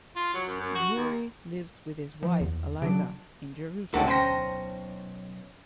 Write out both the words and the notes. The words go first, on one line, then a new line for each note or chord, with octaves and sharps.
Gouri lives with his wife, Aliza, in Jerusalem.
F4
F#3
F#2
F#2
F#4
D#2
F3
E2
C#3 F#3 D4 D7
D2 G#2 F#4 A4 F#5 G5 A5
B1 C#4 C5 G5 A#6